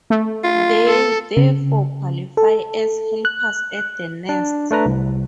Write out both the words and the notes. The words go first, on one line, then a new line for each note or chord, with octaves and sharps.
They therefore qualify as helpers at the nest.
A3
F4
A4
C#3
A4
F#6
D4
A3 D4 B4 A#5
C2